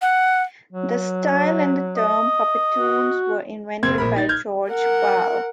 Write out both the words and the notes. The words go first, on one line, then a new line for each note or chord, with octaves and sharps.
The style and the term "Puppetoons" were invented by George Pal.
F#5
F#3
D#5
F#4
F#1 A#3 C4 G#6
A#1 A#4 B5
D#4 A6
F6 G6 G#6
A#4 F#5